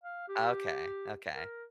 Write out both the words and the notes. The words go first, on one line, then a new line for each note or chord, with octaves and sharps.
Okay, okay,
F5
G4
A#4